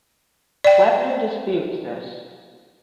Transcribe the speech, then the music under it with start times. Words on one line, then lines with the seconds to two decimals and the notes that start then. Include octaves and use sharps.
Wepner disputes this.
0.64 D5 G5